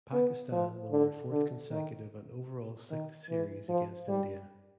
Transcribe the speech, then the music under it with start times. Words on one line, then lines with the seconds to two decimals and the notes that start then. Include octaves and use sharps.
Pakistan won their fourth consecutive and overall sixth series against India.
0.13 B3
0.52 F3
0.92 D3
1.32 D3
1.70 D#3
2.90 D#3
3.30 E3
3.69 F3
4.09 G3